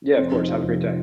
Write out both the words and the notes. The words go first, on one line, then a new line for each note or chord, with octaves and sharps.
Yeah, of course, have a great day.
F1 C4
F2 D#4
C3 F4
F1